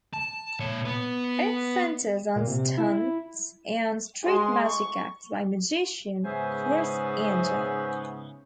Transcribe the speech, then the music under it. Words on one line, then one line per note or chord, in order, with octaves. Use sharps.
It centers on stunts and street magic acts by magician Criss Angel.
A5
A#2 C#5
B3 B4
A#2
C3
E4
G#3 C6
C#6
G#2 C#3 B3 C5 E5 G#5